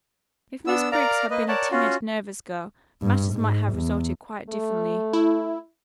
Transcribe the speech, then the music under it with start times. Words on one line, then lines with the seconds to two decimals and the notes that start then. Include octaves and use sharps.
If Miss Briggs had been a timid, nervous girl, matters might have resulted quite differently.
0.67 B3 D4 E6
0.92 A#4 D5 F5 A#5
1.30 A#3 B4 D#5
1.48 A#4 C#5 D5 F#5 A5
1.71 C#4 F4 F#4
3.02 G2
3.35 G#2
3.73 E2
4.50 A3
5.13 E4